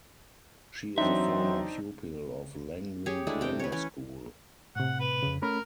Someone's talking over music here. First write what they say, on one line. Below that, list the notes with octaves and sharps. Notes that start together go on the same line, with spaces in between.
She is a former pupil of Langley Grammar School.
E3 F#3 C4 D4 D#4 C5 E5
G4 G#4 C#5
G#3 A3 D4 E4
C3 G5
B4 C#5
E3 C#4 C#5
A2 C3 F#5
B4
F2 C#3
A3 C#4 A#4 B5